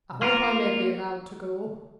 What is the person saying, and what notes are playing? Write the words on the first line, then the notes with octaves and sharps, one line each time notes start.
'I hope I may be allowed to go?'
A#3 F4 A#4